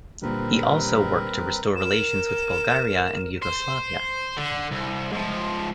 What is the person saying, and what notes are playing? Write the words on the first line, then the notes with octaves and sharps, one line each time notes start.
He also worked to restore relations with Bulgaria and Yugoslavia.
A#2 D3 G3 C4 A#4 B4
A#4 E7
C5
D3
C2
G#2 F3